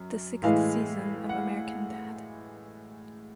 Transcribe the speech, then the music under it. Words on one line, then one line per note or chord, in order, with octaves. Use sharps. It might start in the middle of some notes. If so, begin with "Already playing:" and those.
The sixth season of American Dad.
Already playing: F#2
A2 E3 G#3 F5
F#5